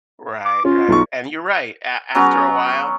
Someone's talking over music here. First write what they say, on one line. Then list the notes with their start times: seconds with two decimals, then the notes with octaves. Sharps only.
Right, right. And you're right, a after a while,
0.45 D6
0.65 C#4 F4
0.89 B1 D#4 C#6
2.15 F#3 B3 C#4 A#5